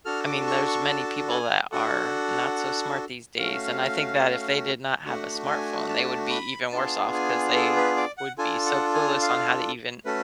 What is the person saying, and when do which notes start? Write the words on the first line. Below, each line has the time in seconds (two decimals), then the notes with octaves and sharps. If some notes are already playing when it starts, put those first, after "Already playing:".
I mean, there's many people that are not so smart these days, and I think that if they did not have a smartphone, they would be even worse off 'cause they would be so clueless on how to even
0.05 D4 F#4 A4 F6
0.26 D6
0.47 C#6
0.68 C#6
0.89 A5
1.30 G#5
1.72 D4 F#4 A4 F#5
3.38 A3 C#4 F#4 F5
5.05 A3 D4 F#4 F#5
5.47 G#5
5.89 A5
6.30 B5
6.72 B3 D4 F4 G#4 A5
7.13 G#5
7.55 A4
7.76 B4
7.97 D5
8.18 F#5
8.38 D4 F4 A4 G#5
8.66 F#5
8.94 G#5
9.22 F5
10.05 A3 C#4 F#4 A4 B4